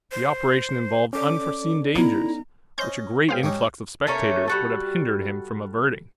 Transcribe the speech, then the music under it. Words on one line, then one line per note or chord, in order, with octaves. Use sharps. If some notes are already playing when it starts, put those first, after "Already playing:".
The operation involved unforeseen dangers, which a great influx of spectators would have hindered him from averting.
C5
C#4 A4 D5 D6
B3 D#4 E4 A#5
C#4 C5 D#5 G6
C#2 C5 F5 G5
G#2 C#4 D#4 G4
A3 A#3 C#4 C#5
G3 F#4 A4